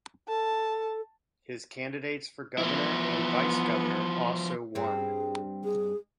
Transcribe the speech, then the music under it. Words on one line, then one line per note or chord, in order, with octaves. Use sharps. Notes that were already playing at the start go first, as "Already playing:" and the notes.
His candidates for governor and vice governor also won.
A4 A5
E3 F3 B3 E4
G2 C4 G#4
G#4